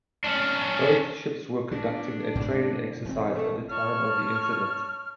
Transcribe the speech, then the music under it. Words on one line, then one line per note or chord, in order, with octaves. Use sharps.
Both ships were conducting a training exercise at the time of the incident.
C#4 D4
B2 D4
G#2 B2 D3
E1 C4
A3
C#5 A5 C#6 F6